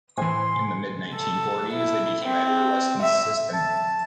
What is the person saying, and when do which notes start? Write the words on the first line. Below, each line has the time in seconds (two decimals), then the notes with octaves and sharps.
In the mid-nineteen forties, they became Edward Weston’s assistant.
0.18 A2 E3 G#5 C6
1.15 A4
1.73 E4
2.23 C4
3.02 E5
3.53 A5